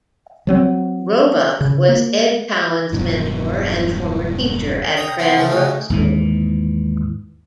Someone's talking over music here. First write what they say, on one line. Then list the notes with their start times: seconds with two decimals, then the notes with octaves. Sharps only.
Roebuck was Ed Cowan's mentor and former teacher at Cranbrook School.
0.47 F3 F#3 C4
1.61 C#3
1.89 A#3
2.92 E1 G2 B2 F#3
4.97 G5 A#5 D#6
5.19 B3 C4 E4
5.37 C#3 F3 E4
5.50 A2 C#3 D#4
5.90 D#2 G#2 E3